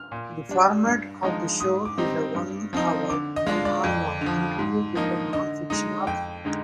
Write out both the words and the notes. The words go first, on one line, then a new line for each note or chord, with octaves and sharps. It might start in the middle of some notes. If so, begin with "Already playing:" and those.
The format of the show is a one-hour, one-on-one interview with a non-fiction author.
Already playing: F6
A#2
G3 D4
G2
F3 G#3 D#4
G#2 D#6
D6
G3 C4 D#4
G2
F3 C4 D#4
D3 D6
D#5
G#3 D4 F4 F5
D5
F2
D3
F3
G#2
F3 A#3 D#4
D3 D#5
G#3 D#4
F2 G5
D3 G#3 D#4